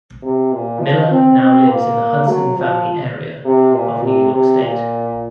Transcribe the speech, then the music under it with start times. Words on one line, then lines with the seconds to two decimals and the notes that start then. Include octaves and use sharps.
Miller now lives in the Hudson Valley area of New York state.
0.22 C3
0.53 A#2
0.81 F3
1.11 C4
1.40 C4
1.69 A#3
2.28 F#3
2.56 F3
3.45 C3
3.74 A#2
4.03 C3
4.32 C3
4.62 A#2